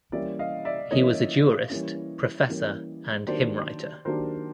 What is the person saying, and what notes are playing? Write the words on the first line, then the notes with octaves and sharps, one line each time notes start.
He was a Jurist, Professor and Hymn writer.
E3 G3 A#3 C#4 D5 E5
D#5 F5
D5 E5
E3 G3 A#3 C#4 C#5 D#5
E3 G3 A#3 C#4
E3 G3 A#3 C#4
D#3 F#3 A#3 D4 G4 C5 D5
D#3 F#3 A#3 D4 G4 A#4 C5